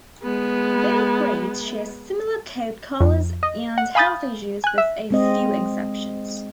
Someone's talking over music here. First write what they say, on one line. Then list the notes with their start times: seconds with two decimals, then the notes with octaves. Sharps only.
Both breeds share similar coat colors and health issues with a few exceptions.
0.23 G#3 B3
3.01 F2
3.43 D#5
3.78 F#5
3.95 F5 G#5 B5 D#6 G6 A6
4.64 G#5 F#6
4.78 E5
5.11 G#3 C4 D#5